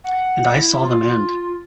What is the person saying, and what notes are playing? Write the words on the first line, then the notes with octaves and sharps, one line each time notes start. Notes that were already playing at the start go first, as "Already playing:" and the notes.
And I saw them end.
F#5
E4
F4